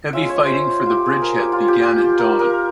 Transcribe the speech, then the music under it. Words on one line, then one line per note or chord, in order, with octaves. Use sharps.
Heavy fighting for the bridgehead began at dawn.
G#3 C#4 F4 E5
C#5
C5
F4 G4
G#4
A#4
G4
F4
G4
F4
G4
A#4
A#4